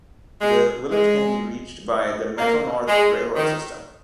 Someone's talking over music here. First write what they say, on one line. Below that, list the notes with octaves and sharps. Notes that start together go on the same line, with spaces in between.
The village can be reached by the Metro-North railroad system.
G#3
G#3
A#3
G#3
D#3